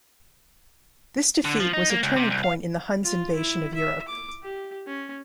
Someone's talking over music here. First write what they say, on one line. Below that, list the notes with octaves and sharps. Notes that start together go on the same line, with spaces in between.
This defeat was a turning point in the Huns' invasion of Europe.
D3
F3
D#4
A#3
C#2
C3
C2
F5
F4
E4
E5
D6
G4
C#4